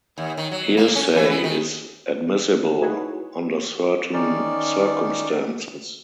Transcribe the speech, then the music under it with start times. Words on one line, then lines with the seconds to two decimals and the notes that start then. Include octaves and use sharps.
Hearsay is admissible under certain circumstances.
0.18 D#2
0.37 D#3
0.51 F#3
0.77 A#3
0.95 C#4
1.15 E3
1.30 B3
1.44 D#3
2.81 D#4 E4 F#4 G#4 B4 C#5
4.13 D#3 C#4 D#4 D5